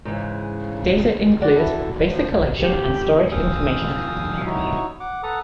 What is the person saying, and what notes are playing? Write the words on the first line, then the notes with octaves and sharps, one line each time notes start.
Data include basic collection and storage information.
G#2 C#3 E3
F#4 D5
E4 A4
C#3 F3
G4
F5 G5 G#5 D#6 E6
D#4 E4 F#4 C#5
F#5 D6
A4 B4 F#5 A5 A#5 D#6